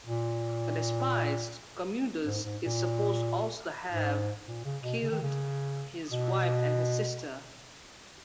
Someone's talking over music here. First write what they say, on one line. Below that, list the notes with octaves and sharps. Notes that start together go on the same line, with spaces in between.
The despised Commodus is supposed also to have killed his wife and his sister.
A#2
G#2
G#2
A#2
G#2
A#2
C#3
B2
C#3
D#3
C#3
B2